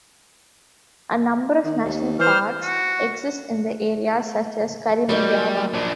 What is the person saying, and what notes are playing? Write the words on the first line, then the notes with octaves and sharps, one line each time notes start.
A number of national parks exist in the area such as Karimunjawa.
D#3
D#2
E3 C5 F6
F#4
F#3 G3 A#3 D#4
F3 D4